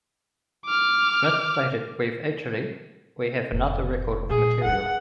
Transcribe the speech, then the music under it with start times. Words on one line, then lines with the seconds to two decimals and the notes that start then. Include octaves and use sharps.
Smith stated We've actually, we have another record of material.
0.66 D6 F6
3.52 F1 A2
4.30 A#2 G#4
4.65 F#3 G3 F#5